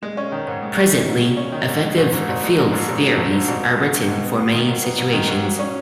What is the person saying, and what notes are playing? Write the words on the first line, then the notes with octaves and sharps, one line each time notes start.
Presently, effective field theories are written for many situations.
G#3
C#4
D#3
G#2
G#3
C#4
D#3
G#2
G#3
C#4
D#3
G#2
G#3
G#1
G#2
G#1
G#3
G#1
G#2
G#1
G#3
G#1
G#2
G#1
B3
G#2
D#3
G#2
B3
G#2
D#3
G#2
B3
G#2
D#3
G#2
F#3
C#4